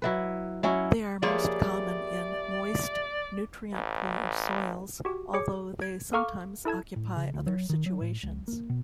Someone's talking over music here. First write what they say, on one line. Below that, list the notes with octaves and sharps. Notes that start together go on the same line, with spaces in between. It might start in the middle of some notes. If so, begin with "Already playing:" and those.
They are most common in moist nutrient-poor soils although they sometimes occupy other situations.
F#3 E4 B4
F#3 C#4 E4
F3 G3 A3 A#3 G#4 C#5 D5
A1
F#4 G4
G#4 C#5 D6 C#7
G#6 D7
A4 F5 A#5 C#6 D6 F6
E4 A4 A5 G#6
A2
C#3
D2
F#3
D#3
F#3
A2
C#2
A#3
B2